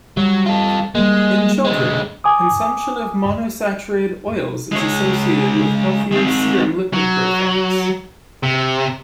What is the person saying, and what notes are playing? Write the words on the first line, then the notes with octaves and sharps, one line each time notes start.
In children, consumption of monounsaturated oils is associated with healthier serum lipid profiles.
F#3 G3
F4 A4
G3 G#3 A#3
D3 G#3
G#5 D6 D#6
G#3 C#5
G#3 C4
F#3
C3